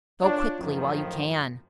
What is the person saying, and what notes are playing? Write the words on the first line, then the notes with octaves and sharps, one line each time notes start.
"Go quickly, while you can!"
D4 F4 C#5
F#2 A2 D#3 F3